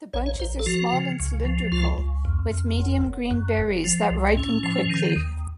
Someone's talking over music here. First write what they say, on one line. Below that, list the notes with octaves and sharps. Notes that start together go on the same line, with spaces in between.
The bunches are small and cylindrical, with medium green berries that ripen quickly.
A#1 C#5
C#5
A#1 C5
A4
F3 F#4
C#3
C#2
F3
C#2 F4
C#2
F2
F2
F#1
F#1
F#2
F#1
F3
C2
A2 C#4
F3
D#3
D#2